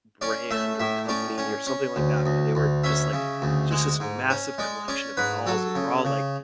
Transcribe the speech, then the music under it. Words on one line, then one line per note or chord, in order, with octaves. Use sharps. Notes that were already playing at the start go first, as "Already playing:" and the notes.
brand or company or something like that, and they were just, like it's just this massive collection of dolls, and they were all, like,
C#4 D5
A3 E5
A2 E5
C#4 D5
C#4
C#4
D2
D2
D2
C#4 E5
C#3
D2
G#3
G#2
C#4
G#3 D5
C#4 D5
G#2 B4
F#3 A4
C#3
C#3